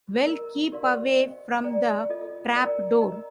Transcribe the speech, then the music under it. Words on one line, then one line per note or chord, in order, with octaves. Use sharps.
Well keep away from the trapdoor!
A#4 D#5 A#5
G4 A#4 D5 F5 C6
C5 D#5 G5
A4 D5 G5 A#5
F4 A4 D#5
A#4 D5 G5 A#5
A#4 D#5 A#5